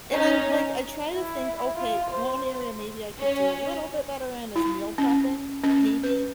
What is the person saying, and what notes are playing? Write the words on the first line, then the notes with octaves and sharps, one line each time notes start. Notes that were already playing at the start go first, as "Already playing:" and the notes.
and I'm like, I try to think, "Okay, one area maybe I could could do a little bit better in is meal prepping, maybe."
C#4 D#4
E4
F4
C5
C#4
E4
C#4
C#4
B4